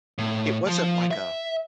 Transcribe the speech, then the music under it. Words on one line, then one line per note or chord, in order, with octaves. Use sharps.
It wasn't like a
A2
F3
E5